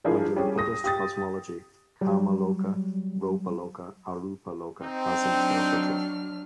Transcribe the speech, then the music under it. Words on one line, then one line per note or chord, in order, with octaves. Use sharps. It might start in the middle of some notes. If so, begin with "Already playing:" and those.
And in Buddhist Cosmology Kama-Loka, Rupa-Loka, Arupa-Loka has interpreted.
E3 F3 D4 E4 G#4 A#4
G3 C#4 G#4
D#6 A#6
G4 D#6 A6
F#3 G3
C4 D#4
F#3 D4 F6